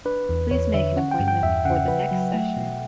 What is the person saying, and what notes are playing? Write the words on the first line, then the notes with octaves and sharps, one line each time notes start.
Please make an appointment for the next session.
D4 B4
E2
E2 C#5
D3 E5
C#4 F#5
G5
G2
G5
E2 E5
C#3 F#5
B4
F#3
A3
B2